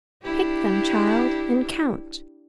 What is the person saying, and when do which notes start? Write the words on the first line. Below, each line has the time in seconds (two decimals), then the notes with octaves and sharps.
Pick them, child, and count.
0.23 D4 E4 G4